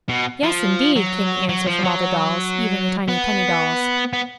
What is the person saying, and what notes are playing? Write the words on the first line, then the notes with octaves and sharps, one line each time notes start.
"Yes, indeed!" came the answer from all the dolls, even the tiny penny dolls.
B2
F3
F#3
F#3
F3
F#3
B3
B3